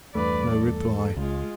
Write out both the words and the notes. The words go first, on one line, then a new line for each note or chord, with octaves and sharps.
No reply.
E2 G2 A3 B4 D5
A4
C#2 G#3 F4